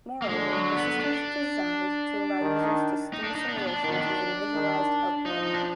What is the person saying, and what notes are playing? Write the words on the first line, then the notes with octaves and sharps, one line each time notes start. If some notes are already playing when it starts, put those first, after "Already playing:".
Moreover, the system is designed to allow users to steer simulations using visualised output.
A#3
D3 G#3
F#3
B3
D4
D#3
D#4
D4
D#4
D4
B3
D4
D#3 D4
B3
D4
D#3
F3 D#4
D#4
D4